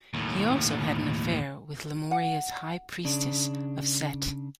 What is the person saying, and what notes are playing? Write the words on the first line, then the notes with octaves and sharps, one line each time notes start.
He also had an affair with Lemuria's High Priestess of Set.
D#2 A2
F#5
C#3 D4